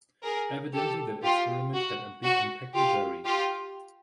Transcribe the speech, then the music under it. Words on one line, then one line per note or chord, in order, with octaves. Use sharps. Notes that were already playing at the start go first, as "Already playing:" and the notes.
Evidently that experiment had a big impact on Jerry.
G#4 A#4
G4 A4
F4 G4
F#4
F#4
F4 G4
F4 G4